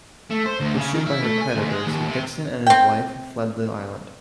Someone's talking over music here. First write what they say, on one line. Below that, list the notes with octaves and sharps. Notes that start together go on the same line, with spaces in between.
Pursued by her creditors, Dixon and his wife fled the island.
A3
C5
D2
C#3
D#3
E4
A3
G#5
D2
G#3
D#2
C3
C4 G5